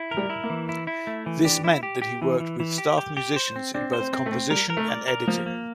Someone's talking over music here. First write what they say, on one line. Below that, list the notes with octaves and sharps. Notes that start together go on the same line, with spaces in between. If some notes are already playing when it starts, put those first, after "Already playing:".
This meant that he worked with staff musicians in both composition and editing.
Already playing: E4
A#4
G3
E4
A#3
E3
E4
E4
A3
E3
D4 G4
E4
G4
G4
E3 E4
E3
E3
G4
G4
G4
C5
C4
C4 D4
C5
C4
C4
A3
C4
G3 A#4
A#4
A3
D5
A#4
F3 A#3
A#3